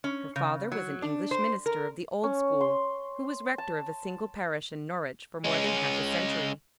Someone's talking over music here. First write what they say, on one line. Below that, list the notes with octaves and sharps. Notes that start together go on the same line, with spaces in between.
Her father was an English minister of the old school who was rector of a single parish in Norwich for more than half a century.
C#4
C#3
F#3
D4
C5
A#4
C#4
C6
A5
G#3 C#4